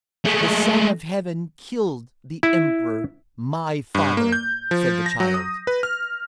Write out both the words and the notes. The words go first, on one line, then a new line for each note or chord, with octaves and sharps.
"The Son of Heaven killed the emperor, my father," said the child.
G#3 A3
E4
G2
A#3
G6
F3
A#6
F#3
D#6
B4
F6